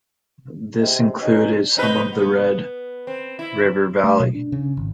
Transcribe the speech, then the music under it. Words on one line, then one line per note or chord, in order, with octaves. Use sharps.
This included some of the Red River Valley.
C3 G#3
B2 C#4 D#4
C4 D#4 B4
B3
C4
E4
A3
B2
D4
C#3
G#1